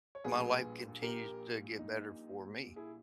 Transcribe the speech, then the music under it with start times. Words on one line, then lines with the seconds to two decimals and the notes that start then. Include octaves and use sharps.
my life continues to get better for me,
0.15 C#5
0.24 A#1 A#2 G3 G#4 B4
1.02 G4 A#4
1.79 D#4
2.76 E4 G#4